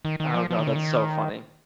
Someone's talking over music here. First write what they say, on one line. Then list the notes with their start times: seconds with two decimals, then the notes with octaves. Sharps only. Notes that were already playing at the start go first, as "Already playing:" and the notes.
Oh god. That's so funny,
0.05 D#3
0.20 D#3
0.34 F3
0.50 F3
0.59 D#3
0.67 C#3
0.76 D#3